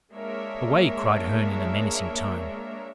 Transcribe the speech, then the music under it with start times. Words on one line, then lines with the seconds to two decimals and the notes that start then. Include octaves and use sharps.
"Away!" cried Herne in a menacing tone.
0.13 G#3 A#3 D4 A#4 C#5 E5